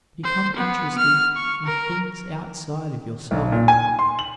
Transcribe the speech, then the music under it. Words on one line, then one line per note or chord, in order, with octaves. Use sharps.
Become interested in things outside of yourself.
C5
B3
F6
C#6
A#4
B1
A#2
G#5
C6
F#7